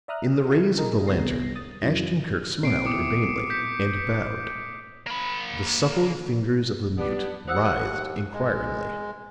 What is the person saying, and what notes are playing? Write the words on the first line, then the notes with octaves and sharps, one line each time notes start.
In the rays of the lantern Ashton-Kirk smiled urbanely, and bowed. The supple fingers of the mute writhed inquiringly.
D5 E5 A#5 D#6 F6 F#6
E4 F#4
G#4 A#4 D#5 A#5 D#6
C2 C3 G3 B3 A#6 C7
D#6 A6
F#2 C#3 F#3 E4
A#2 A#3 C4 C7 D7
B3 E4 D6 D#6 C#7
G6 B6 C#7
A#3 B5
G3 B3 D4
D#2 C5 F#5 D#6 E6 F#6
G#3